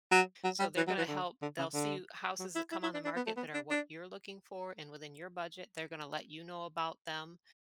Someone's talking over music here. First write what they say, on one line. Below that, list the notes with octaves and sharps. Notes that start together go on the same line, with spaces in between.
so, they're gonna help they'll see you houses that come on the market that are what you're looking for and within your budget, they're gonna let you know about them,
F#3
F#3
G3
E3
F#3
E3
D3
D3
C#3
D3
F#3
E4
E4
E4
D4
D4
B3
A3
B3
D4
D4